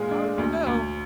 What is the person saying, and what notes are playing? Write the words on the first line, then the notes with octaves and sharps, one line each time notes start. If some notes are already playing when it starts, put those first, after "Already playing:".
'Down you go!
Already playing: A#2 G#3 F4
D4
D2
D2